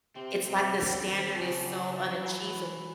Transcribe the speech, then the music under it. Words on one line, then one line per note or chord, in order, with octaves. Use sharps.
it's, like, the standard is so unachees
C3 C4
C3 C4
D3 C4
D#3 C4
C#3 F3
F#3 D4
D4
E3